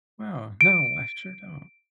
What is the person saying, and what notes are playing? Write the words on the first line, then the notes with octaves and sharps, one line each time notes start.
Wow, no, I sure don't.
D7